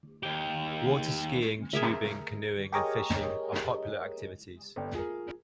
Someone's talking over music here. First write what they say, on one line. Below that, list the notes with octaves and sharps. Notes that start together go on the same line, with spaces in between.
Water skiing, tubing, canoeing, and fishing are popular activities.
D#2 G4
G#4 A#4 E5
G4 G#4 A#4 C#5 D#5
G1 A4 D5 G5
F4 G#4 A#4